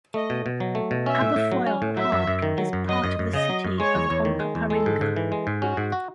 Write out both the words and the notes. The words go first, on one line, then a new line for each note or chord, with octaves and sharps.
Aberfoyle Park is part of the City of Onkaparinga.
A3 D#5
B2
B2
F#3
A3
B2
C#4 E5
A2
A2
F#3
C#4
A2
F#3 E5
F#2
F#2
D#3
F#3
F#2
F#3 D#5
F#2
F#2
C#3 D#5
F#3
F#2
G#3 C#5
E2
E2
D#3
G#3
E2
G#3 A4
G#2
G#2
E3
G#3
G#2
C#4 F#4
G#2
F#4